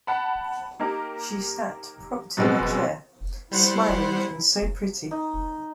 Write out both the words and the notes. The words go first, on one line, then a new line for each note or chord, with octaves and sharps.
She sat propped in her chair, smiling, and so pretty.
F#5 A5 B5
A#3 D#4 G4 A#4
F#2 B2 F3 G#3 B3 C4
G3 E4 C5 F#5
D#4